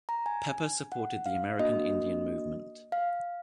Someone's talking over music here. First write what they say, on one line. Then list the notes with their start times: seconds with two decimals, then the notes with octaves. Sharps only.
Pepper supported the American Indian Movement.
0.09 A#5
0.26 G#5
0.92 F#5
1.26 F5
1.59 A#3 D4 F#4 D#5
2.92 F5